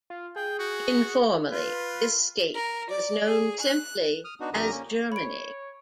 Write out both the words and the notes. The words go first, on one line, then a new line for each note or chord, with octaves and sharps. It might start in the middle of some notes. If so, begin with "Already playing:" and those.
Informally, this state was known simply as Germany.
F4
G#4 G5
F#4
F4 B4
A#4
D5
G#4
F#6
D#6 F6
B3 D4 D#4 F#4
F2 D3 G4 A#4 A#5 D#6
A#3 C#4
C#5 B5 D7